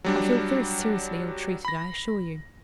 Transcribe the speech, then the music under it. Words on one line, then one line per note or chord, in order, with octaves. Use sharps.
I feel very seriously ill-treated, I assure you.
F#3 G3 D4
B5 A#6